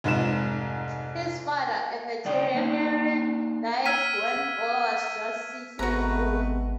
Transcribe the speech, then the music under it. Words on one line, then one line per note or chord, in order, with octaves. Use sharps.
His father, a veterinarian, died when Borger was just six years old.
F1 G#2 F4 E7
A2 C#3 D5 G5
A#3 D4 D#4
E6 F6 G#6 B6 D#7
G#1 C3 G#3 A3 B3 F#4 B4 A#5